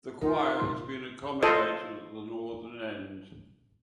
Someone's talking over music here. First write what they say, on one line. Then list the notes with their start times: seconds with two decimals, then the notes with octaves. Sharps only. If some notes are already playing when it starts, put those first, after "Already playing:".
The choir has been accommodated at the northern end.
0.21 D#4 F4 A#4
1.43 F4 A4 C5 D#5